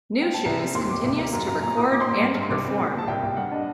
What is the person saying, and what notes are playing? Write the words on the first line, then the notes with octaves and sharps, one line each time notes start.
Nu Shooz continues to record and perform.
G5
A5
C2 A#5
C4
D#2 C6
D#2 D6
C2 D6
A#3
F#2 A#5
F#2 A#5
A#2 A#5
A#2 D#6
A#2 D6
C6
A#2 D6
G2
G2
C6
C2 D6
C4
A#2
A#2
A5
C2 G5
C2
G2 F#5
D4 D#5